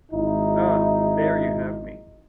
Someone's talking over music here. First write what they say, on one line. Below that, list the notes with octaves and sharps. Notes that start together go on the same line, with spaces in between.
Ah, there you have me.
G#1 D#4 E4